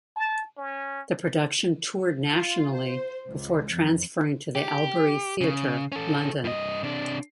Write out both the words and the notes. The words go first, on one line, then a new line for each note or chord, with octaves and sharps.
The production toured nationally before transferring to the Albery Theatre, London.
A5
C#4
F4
C5
C#2
F2
G4
C#3
C#4 A4
G2 D#5
C3 D4